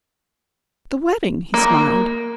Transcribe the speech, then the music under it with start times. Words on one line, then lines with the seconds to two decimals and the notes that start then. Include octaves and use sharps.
"The wedding," he smiled.
1.54 A#3